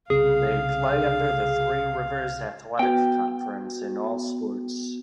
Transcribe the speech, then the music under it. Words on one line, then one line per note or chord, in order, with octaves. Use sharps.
They play under the Three Rivers Athletic Conference in all sports.
C2 C#3 C4 G#4 F5
B3 F#4 G5